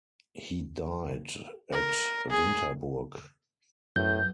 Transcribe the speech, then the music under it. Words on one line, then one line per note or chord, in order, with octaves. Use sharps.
He died at Winterburg.
A#4
G#4
B1 F#2 A2 G6